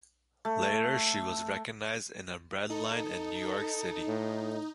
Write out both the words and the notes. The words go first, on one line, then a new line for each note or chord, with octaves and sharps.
Later she was recognized in a bread line in New York City.
A3
D#4 A4
A2